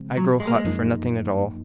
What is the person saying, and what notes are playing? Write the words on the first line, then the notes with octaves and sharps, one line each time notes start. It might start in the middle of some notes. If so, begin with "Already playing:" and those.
I grow hot for nothing at all.
Already playing: C#3 F3 G#3 C4
F#3
G#3
A#3
G#3
F#2 F3 A#3 D#4